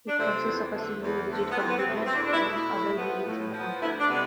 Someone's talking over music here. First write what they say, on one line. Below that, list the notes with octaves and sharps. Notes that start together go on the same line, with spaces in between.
It consists of a single digit computed from the other digits in the number.
D4
C3 F3 A3 C4
E2
D3 F3 A3
E2
D3 F3 A3
B3
E2 C4
B3
C4
B2 A3
E4
C4
E2 D4
D4
E4
B2 A3
E4
A2
F3 B3
A2
F3 B3
D2 E4
D4
C3 G#3 B3